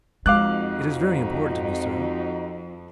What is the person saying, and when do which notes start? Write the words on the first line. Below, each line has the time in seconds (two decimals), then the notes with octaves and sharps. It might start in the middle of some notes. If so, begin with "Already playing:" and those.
"It is very important to me, sir."
0.26 F2 G#3 D#4 F#4 F5 D6 F#6